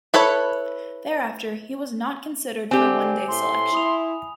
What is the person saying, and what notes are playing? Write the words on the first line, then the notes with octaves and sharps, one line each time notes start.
Thereafter, he was not considered for one-day selection.
E4 A4 B4 C#5
D3 C4 G4 G#5
A2 C6
E4 B5 D#6 F7